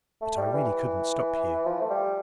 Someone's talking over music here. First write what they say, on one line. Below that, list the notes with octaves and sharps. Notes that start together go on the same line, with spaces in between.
But I really couldn't stop you.'
A3
G3
E3
F3
A3
G3